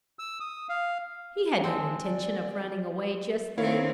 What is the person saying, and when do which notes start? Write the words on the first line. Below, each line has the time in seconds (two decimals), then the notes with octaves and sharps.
He had no intention of running away just then.
0.19 E6
0.40 D#6
0.69 F5
1.64 G#3 C4 A5
2.05 D5
3.58 D#3 C4 E4 C#5 F5